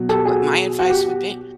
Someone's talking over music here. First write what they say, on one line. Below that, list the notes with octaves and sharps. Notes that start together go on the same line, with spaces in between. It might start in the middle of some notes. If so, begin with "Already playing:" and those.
What my advice would be,
Already playing: B2 F#3
G4 A4
F#4 G#4
F#4
G4